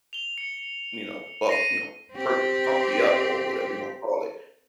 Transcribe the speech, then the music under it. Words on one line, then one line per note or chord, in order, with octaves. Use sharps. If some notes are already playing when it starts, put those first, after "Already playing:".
you know, buff you know, perk, pump me up, or whatever you wanna call it,
F7 G7
C#7
A#6 C7 D#7
C4 G4